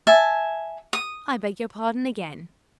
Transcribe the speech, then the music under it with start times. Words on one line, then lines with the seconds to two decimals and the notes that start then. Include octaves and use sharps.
I beg your pardon again.
0.07 E5 G#5 A5
0.93 D#6